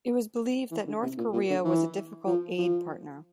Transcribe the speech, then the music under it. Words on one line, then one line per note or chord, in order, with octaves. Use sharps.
It was believed that North Korea was a difficult aid partner.
E3
D3
C3
A#2
A#2
D3
E3
F3
F3